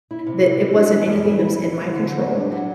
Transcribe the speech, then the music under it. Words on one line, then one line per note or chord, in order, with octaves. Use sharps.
that it wasn't anything that was in my control,
E4
C3
E4
C4
D4
E3
F#2
E3
E4
E4
C4
D3
F#3
F#3
D4
F#3